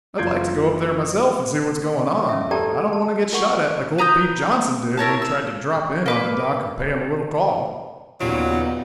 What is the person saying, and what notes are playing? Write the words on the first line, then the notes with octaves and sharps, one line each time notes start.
I'd like to go up there myself and see what's going on, but I don't want to get shot at like old Pete Johnson did when he tried to drop in on the Doc and pay him a little call.
F#1 F4 G6 G#6 C7 D7
C#4 E5
G4 A4 D5 G5 A5 A#5
A5
F4 A#4 F#5 C#6
B4 A#5 D#6 G6
E4 A#4 C#5 A5
E6
A#3 B4 D6
D#2 A#2 C#3 F#3 G3 B3 D#4 F4